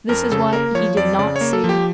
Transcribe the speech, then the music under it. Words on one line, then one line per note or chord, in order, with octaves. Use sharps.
This is what he did not see.
F2 A#4
C#3 A4
A#3 A#4
F3 C#5
F2 D5
C#3 D5
C#5
A#3
A4
F3
G4